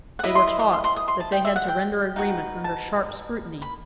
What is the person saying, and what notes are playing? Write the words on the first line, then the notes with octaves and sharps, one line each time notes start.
They were taught that they had to render agreement under sharp scrutiny.
F#5
E4 B4 D#5 E5
C6
C6
C6
C6
C6
D#6
C6
A5
G5
E5
F#5
G5
D#4 F#4 B4
A5
B5